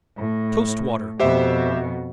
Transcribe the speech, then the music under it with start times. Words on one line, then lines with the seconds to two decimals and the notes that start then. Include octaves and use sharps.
Toast Water.
0.18 A2
1.20 F2 B2 G4 C5 E5